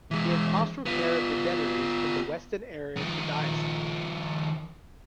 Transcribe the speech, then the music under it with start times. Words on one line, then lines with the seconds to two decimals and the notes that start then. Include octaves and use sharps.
He had pastoral care of the deaneries in the western area of the diocese.
0.11 E3 G#3
0.86 B3 F4
2.97 D#3 F3